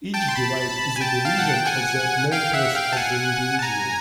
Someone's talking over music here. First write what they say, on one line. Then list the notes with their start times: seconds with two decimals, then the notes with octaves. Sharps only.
Each divide is a division of the natures of the individual.
0.14 G5 A5
0.28 C6
0.36 A5 B5
0.96 G#5
1.01 G5 A5
1.25 F5
1.38 F#5
1.53 G5
1.66 F#5 G#5
2.32 F5 G5
2.53 E5 F#5
2.75 F5 G5
2.92 A5
2.97 F#5 G#5
3.59 A5
3.63 G#5 A#5